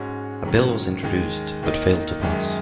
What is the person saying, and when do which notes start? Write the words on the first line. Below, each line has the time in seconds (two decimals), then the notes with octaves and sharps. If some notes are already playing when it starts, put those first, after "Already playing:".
A bill was introduced, but failed to pass.
Already playing: G#2 G#3 C#4 F#4
0.45 G#2 D#3 F#3 C#4
1.03 D#2 D#3 G#3
1.62 D#2 D#3 A#3 D#4
2.21 F#2 D#3 G#3 D#4